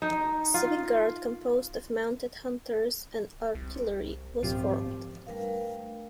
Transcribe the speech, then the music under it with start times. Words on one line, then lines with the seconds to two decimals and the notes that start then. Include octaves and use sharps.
A civic guard, composed of mounted hunters and artillery, was formed.
0.02 D#4
0.54 F4
3.55 C2
4.43 G#1 F3 G4
5.27 G3 A3 D4 A#4 B4 F5